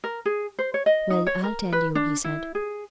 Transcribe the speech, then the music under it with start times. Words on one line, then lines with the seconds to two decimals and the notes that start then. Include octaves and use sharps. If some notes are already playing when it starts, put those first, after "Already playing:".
"Well, I'll tell you," he said.
0.04 A#4
0.26 G#4
0.59 C5
0.74 C#5
0.86 D#5
1.10 D#4
1.27 C#5
1.44 A#4
1.72 B4
1.95 D4
2.24 E4
2.55 G#4